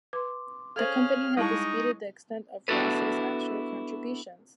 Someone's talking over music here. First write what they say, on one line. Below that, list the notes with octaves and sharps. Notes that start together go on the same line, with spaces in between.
The company had disputed the extent of Ross's actual contributions.
B4 C6 D6
C#4 G#4 A4 C5 F5 F6 G#6 F#7
G3 G#3 D#4 E4 A5 C#6
B3 D4 E4 F#4 A4 B4